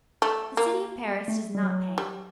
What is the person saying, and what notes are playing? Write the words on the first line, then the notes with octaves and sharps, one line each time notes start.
The city of Paris does not pay.
A3
A#3
A3
G3
F#3
G3